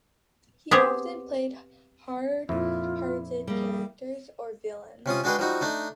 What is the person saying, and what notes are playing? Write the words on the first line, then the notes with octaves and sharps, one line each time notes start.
He often played hard-hearted characters or villains.
B3 C4 G4 G#4
F2 A#2 E4 F4
G3 A#3 G#4
C3 C#4 F4 D#6
G#3 D4 F#4 G#4 B4 G5
F3 G3 D#4 F#4
A3 D4 D#4